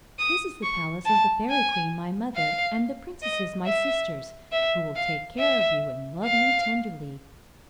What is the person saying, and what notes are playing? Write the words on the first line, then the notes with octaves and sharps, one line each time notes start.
This is the palace of the fairy-queen my mother, and the princesses my sisters, who will take care of you, and love you tenderly.
D#6
C#6
A5
G#5
F5
D#5
E5
E5
F5
E5
F5